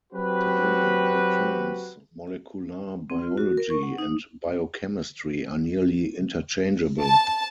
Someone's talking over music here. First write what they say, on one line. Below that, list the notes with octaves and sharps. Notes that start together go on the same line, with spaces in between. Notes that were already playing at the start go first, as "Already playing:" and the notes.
Today, the terms "molecular biology" and "biochemistry" are nearly interchangeable.
F#3 C4 F#4 G4 B4
C4
F4
F#4
A#4
C#6
F#5
D#4
A5